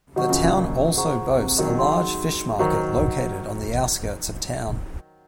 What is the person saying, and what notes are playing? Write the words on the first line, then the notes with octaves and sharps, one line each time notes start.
The town also boasts a large fish market located on the outskirts of town.
D#3 F#3 F#4 A#4 D#5 F#5 C#6
C#3 F3
A#2 C#3
A#2
G#4 C5 F#5 A#5 C#6
C3
D#3 F#3
D#4 G#4 D#5 F#5 C6
D#3 F#3 C5 F#5 A#5 C#6